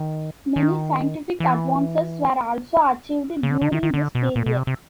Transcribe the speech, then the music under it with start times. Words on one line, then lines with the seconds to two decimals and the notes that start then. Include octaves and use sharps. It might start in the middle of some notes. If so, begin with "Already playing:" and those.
Many scientific advances were also achieved during this period.
Already playing: D#3
0.56 D#3
1.40 E3
3.43 C#3
3.51 D3
3.62 D3
3.72 D#3
3.83 D#3
3.94 D3
4.15 B2
4.36 A#2
4.46 B2
4.56 C3
4.67 C3